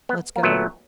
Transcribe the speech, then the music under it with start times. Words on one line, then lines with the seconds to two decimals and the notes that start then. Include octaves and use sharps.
"Let's go!"
0.09 B3
0.36 A#3
0.43 A#2 F#3 A3 B3